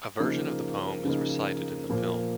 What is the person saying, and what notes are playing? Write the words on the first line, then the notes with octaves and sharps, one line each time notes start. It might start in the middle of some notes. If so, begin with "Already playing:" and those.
A version of the poem is recited in the film.
C#3 F3 A#3 D#4 A#4
C#3 F3 A#3 D#4 A#4
A#2 F3 A#3